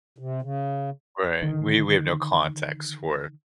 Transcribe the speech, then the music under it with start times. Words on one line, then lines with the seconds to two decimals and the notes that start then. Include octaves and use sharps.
Right, we we have no context for it.
0.18 C3
0.42 C#3
1.42 D3 D#3